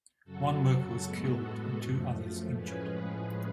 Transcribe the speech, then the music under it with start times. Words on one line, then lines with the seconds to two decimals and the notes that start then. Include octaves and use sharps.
One worker was killed and two others injured.
0.24 F#2 C#3 F#3 F#4 A4
1.02 A2 G#3 B3 F#4 A4
1.79 F#2 F3 A3
2.56 A2 F3 G#3 C#4 G#4 B4